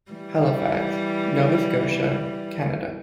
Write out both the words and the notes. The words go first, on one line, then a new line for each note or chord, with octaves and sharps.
Halifax, Nova Scotia, Canada.
E3 G3